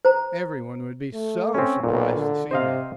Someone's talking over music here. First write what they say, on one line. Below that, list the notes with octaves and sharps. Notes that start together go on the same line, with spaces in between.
Every one would be SO surprised to see me.
C5 A#5
A3
C4 C#4
B1 A#2
D3
C3 C5 D#5 F5